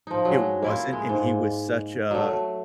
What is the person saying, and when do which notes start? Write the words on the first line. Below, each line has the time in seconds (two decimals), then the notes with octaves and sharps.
it wasn't, and he was such a
0.07 F3 D#4
0.25 F#3 G#3
0.62 A#3 E4 F4
0.93 G#3
1.09 G#2
2.11 F#3 A3